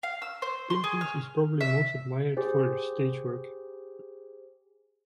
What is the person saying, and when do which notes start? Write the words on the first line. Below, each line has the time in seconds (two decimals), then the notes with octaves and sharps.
Pinkins is probably most admired for her stage work.
0.03 F5
0.22 E6
0.42 C5
0.70 C6
0.84 G#4
1.01 F6
1.61 E5
2.37 G4 G#4 C5